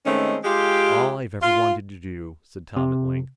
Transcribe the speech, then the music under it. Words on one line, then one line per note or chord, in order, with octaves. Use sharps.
"It's all I've ever wanted to do," said Tom at length.
D#3 G#3 A3 C4 C#4
G#3 F4 G4
F4
C3